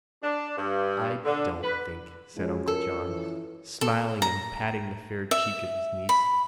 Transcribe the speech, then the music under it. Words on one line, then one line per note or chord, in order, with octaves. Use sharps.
"I don't think," said Uncle John, smiling and patting the fair check of his niece.
D4
G2
D3
B4
F3 F#3 G#3 C#4
A4 A#4
E3
A4
A#5
E5
B5